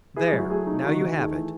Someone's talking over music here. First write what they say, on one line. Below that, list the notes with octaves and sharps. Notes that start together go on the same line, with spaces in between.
There! now you have it.
E4 G#4 B4
G#4
F#3
F#4
A3 G#4
D#4
D#3 F#4
D#3
A3 G#4
E3